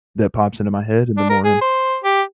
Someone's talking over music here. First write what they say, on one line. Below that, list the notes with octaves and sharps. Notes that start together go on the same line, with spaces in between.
that pops into my head in the morning.
D4
A#4
G#4
C5
G4